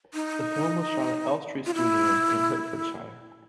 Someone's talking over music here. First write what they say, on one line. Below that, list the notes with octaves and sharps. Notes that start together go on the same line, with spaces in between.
The film was shot at Elstree Studios in Hertfordshire.
D#4
F4
E4